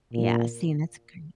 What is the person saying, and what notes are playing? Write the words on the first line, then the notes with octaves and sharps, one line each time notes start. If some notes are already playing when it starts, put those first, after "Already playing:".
Yeah, see? And that's great.
A#2